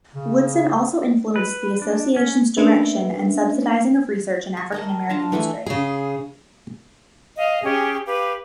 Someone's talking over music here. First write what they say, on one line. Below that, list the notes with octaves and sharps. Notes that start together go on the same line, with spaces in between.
Woodson also influenced the Association's direction and subsidizing of research in African-American history.
C#3
B4
D4
C#4
A3 A#3 C#4 D4 B4 E5
C#6
A#4 D#5 A5
D4 F4 A5 A#5
E3 A3 A4 G#5
C#3 G#4
D#5 F5
C#4 G4 G#4
G4 B4 F5